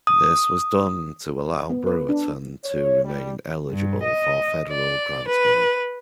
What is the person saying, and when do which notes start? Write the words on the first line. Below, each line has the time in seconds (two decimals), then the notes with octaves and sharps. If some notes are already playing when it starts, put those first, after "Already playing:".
This was done to allow Brewerton to remain eligible for Federal grant money.
0.07 D#6
1.70 B3
1.87 B4
2.09 D4
2.64 C#5
3.04 G3
3.70 G2
4.04 D#5
4.72 D5
5.30 B4